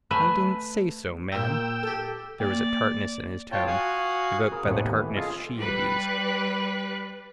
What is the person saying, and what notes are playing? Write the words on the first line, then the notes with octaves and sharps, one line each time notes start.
"I didn't say so, ma'am." There was a tartness in his tone evoked by the tartness she had used.
A3 B4 E5 G#5
A#2 G5 A#5 E6
G4 A4
A#3 D5
F4 C#5 G5 A5
F#4 F5 F#5 G#5 D#6
G#4 A#4
D#2 A2 C3 B3 F#5 G#5
E3
F4 G#4 A4 D#5
G3 B4 F#6